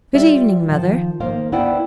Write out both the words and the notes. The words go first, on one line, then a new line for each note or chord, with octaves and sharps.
'Good evening, Mother.'
G3 F4 D5 E5
D#3 F3
D#3 A#3 C5 F5
D2 B3 E4 D5 F#5 G5